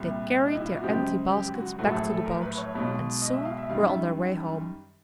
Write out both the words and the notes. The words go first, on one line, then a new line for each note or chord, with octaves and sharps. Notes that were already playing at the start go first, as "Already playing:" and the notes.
They carried their empty baskets back to the boat, and soon were on their way home.
Already playing: C2 A#2 G3
D#4
E4
F4
F#4
F#2 C#3 F3 G#3 G4
G4
F#4
A#1 A2 F#3 A3 F#4
A4
G#4
A4
A#4
B4
C#5
B1 B2 G#3
D#5
E5
F5
E5
F#2 D#3 G3 F5
E5